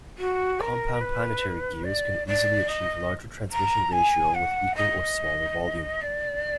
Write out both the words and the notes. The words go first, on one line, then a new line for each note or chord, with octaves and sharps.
Compound planetary gears can easily achieve larger transmission ratio with equal or smaller volume.
F#4
A#4
B4
D5
D5
D#5
A#5
G#5
F#5
D#5
D5